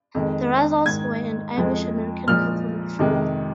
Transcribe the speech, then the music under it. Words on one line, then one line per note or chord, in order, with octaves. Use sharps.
The Russells were an Irish-American Catholic family.
F2 D#3 G#3
G#2 D#3 G#3 G#6
F2 F3 G#3
A#2 F3 G#3 F6
F2 C3 D#3 G#3